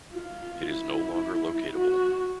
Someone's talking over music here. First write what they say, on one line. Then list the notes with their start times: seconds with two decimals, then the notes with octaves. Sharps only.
It is no longer locatable.
0.13 F4
0.67 E4
1.74 F#4